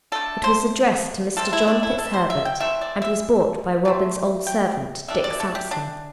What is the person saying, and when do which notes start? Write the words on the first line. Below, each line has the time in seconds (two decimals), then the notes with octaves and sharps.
It was addressed to Mr. John FitzHerbert and was brought by Robin's old servant, Dick Sampson.
0.12 D3 A3 D4 A4
0.44 C5
1.37 E3 G3 C4 A4
1.53 E4
1.68 D4
1.83 E4
1.98 A4
2.13 C5
2.30 E5
2.45 G5
2.60 E3 A3 C4 E5
2.81 D5
3.02 E5
3.85 C3 A3 C4
4.47 G5
5.08 E3 G3 D4 E5
5.24 D5
5.40 A4
5.55 G4
5.71 D4